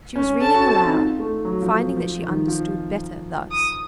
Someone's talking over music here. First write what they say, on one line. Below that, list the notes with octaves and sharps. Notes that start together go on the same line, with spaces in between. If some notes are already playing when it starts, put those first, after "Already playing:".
She was reading aloud, finding that she understood better thus.
C#4
A4 A5
F#4
C4
D#4
F4
A3
F#3
F3
F3
D#3
F3
D#6